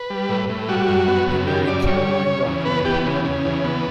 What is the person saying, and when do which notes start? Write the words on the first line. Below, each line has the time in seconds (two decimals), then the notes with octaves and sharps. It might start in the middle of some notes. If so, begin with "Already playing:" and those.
He married Caroline Brockway.
Already playing: B4
0.10 G3
0.29 A2
0.50 A2
0.69 G3 F#4
0.88 F#2
1.08 B3
1.28 F#2
1.47 C#3 G4
1.68 F#2 D5
1.87 G3 C#5
2.07 C#3
2.26 C#3
2.46 E2
2.65 B3 B4
2.85 E2 G4
3.06 C#3
3.25 C#3
3.45 E2
3.64 B3